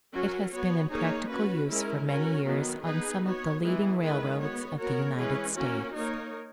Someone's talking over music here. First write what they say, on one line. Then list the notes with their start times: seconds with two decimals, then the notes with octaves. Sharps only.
It has been in practical use for many years on some of the leading railroads of the United States.
0.12 F#3 C#4 F#4 A#4
0.51 B3 F#4 C#5
0.90 A#3 D#4 G#4 C#5
1.28 C#4 F#4 B4
1.67 G#3 C#4 E4 A#4
2.06 C#4 F#4 A#4
2.45 D#3 F#3 B3
2.84 B3 D#4 G#4 B4
3.23 B3 F#4 C#5
3.61 E3 G#3 B3 E4 G#4
4.00 D#3 G#3 B3 E4 B4
4.39 B3 F#4 C#5
4.78 B3 F#4 A#4 C#5
5.17 E3 G#3 C#4 G#4 B4
5.56 A#3 C#4 F#4 A#4
5.95 A#3 D#4 A#4 C#5